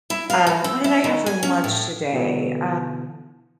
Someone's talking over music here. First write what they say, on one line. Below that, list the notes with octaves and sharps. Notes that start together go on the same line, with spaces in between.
um, what did I have for lunch today? Uh,
E4
F5
E3
C4
E4
D#3
G#5
C#4
A2
B2 D3 E3 B3 E4